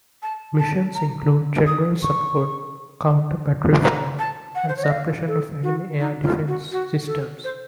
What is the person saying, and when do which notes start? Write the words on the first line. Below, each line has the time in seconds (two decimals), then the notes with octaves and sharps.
Missions include general support, counter-battery fire, and suppression of enemy air defense systems.
0.22 A5
0.59 A5
0.95 A#5
1.67 D#6
2.03 C#6
3.83 A#5
4.19 A5
4.55 F#5
4.69 C5
4.76 C#5
4.84 D#5
4.91 F5
5.27 A4
5.63 F#4
5.99 D#4
6.23 F4
6.48 F#4
6.72 F#4
7.07 A4
7.44 C5